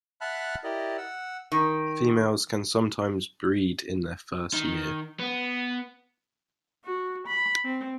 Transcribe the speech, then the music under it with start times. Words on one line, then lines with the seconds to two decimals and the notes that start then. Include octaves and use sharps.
Females can sometimes breed in their first year.
0.21 E5 F#5 A5 B5 F6 F#6
0.64 E4 G4 A#4 D5 D#5
0.98 F#5 E6
1.52 D#3
4.54 D#3
5.19 B3
6.85 F#4
7.27 B5
7.65 C4